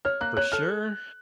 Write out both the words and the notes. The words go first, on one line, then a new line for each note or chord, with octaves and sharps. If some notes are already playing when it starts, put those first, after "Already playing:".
For sure,
C#5 F6
A#3 F#6
C#5 F#6
A4 F6